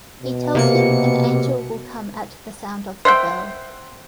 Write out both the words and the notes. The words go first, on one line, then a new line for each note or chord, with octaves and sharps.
He tells him an angel will come at the sound of the bell.
B2
C3 A#3 C#7
C5 E5 F#5 G5